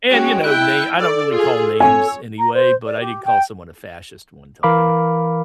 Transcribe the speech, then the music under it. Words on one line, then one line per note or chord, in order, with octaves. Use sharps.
and, you know, na I don't really call names anyway, but I did call someone a fascist one time,
G#3 C#4 F#4 G5
E4 G5 F#6
A4 D5
F4 G#4
C#5 G#5
A#5
C5
D5
G4
G5
E3 A#4 F5 B5 D6